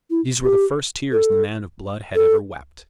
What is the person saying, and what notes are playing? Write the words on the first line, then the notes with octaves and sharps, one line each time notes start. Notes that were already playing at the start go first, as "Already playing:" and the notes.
These were the first tears the man of blood had ever wept.
E4
G4
A4
A4